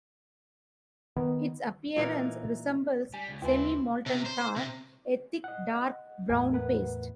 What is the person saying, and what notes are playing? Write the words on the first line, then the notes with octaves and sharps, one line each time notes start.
Its appearance resembles semi-molten tar - a thick dark brown paste.
D#3 B3
A#2 E3 D#4 A#4
G3 G#5
C#2
D#2 C4 E4 F4 B4 G#5
C3
C5
C3
D#5 F#5
E2 A2 G#5
A#4 B4 F#5